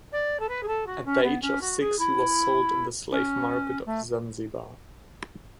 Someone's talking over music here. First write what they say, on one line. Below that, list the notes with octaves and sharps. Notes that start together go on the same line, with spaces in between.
At the age of six he was sold in the slave market of Zanzibar.
D5
A4
B4
G#4
A4
F#4
C#4
B3
C#4
F#4
G#4
E4
C#4
A3